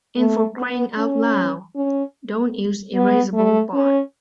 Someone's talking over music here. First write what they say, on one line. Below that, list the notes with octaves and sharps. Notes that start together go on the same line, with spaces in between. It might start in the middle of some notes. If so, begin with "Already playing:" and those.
And for crying out loud, don't use erasable bond.
A3
B3
C#4
C#4
B3
A3
C#4